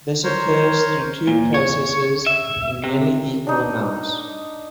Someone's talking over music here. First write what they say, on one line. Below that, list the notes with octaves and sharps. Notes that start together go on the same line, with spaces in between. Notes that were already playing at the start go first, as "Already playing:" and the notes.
This occurs through two processes in nearly equal amounts.
A#4 C5 C#5
A#2
C#5
E5
C3
D4 D#4